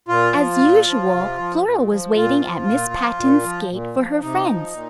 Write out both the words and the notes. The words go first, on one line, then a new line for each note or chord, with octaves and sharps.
As usual Flora was waiting at Miss Patten's gate for her friends.
A#2 F4
F3
A#2
F3
C3
F3
A#2
F3
A#2 F4
F3
A#2
F3
A#2
F3
A#2
F3
C3 D#4
F3
A#2